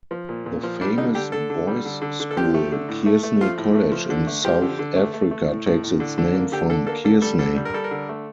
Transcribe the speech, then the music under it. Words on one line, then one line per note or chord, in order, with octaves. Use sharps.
The famous boys' school Kearsney College in South Africa takes its name from Kearsney.
F3
A#2
A#2
F3
G3 D4
D3 D#4
D3 G4
D3 A4
D3
G3
D3
D3
D3
A4
F3 G4
A3
D3
A2
A3
A3
F3 F4
A2
A3
F3
D3
A3
F3 G4
D3
D3
A3
A3
A3
A2
A2
A2
D3
D3
A#3
D3 G4
D3 A4
A#3 A4
D3 A4
G3 A4
D3 A4
G3
A#4
G3 A4
A#4
D3
A3